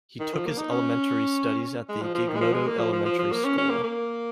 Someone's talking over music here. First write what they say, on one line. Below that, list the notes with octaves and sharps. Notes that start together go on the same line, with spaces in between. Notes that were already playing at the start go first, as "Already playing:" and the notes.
He took his elementary studies at the Gigmoto Elementary School.
D#3
F3
A#3
D#4
C#4
G#3
F3
F3
D#3
G#3
F3
G#3
A#3
F3
F3
F3
F3
A#3
C#4
C#4
A#3
A#3